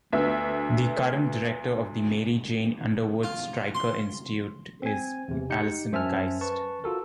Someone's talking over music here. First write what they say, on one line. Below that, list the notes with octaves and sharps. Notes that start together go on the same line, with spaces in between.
The current director of the Mary Jane Underwood Stryker Institute is Alison Geist.
D2 B3 E5
F4
C6
C4 G#5
E2 C3
D#4 G4 G6 C#7
F#2 C5 E5 G#5 A5 F6
B4 A5 C#6
F4 F#4 A4 A#4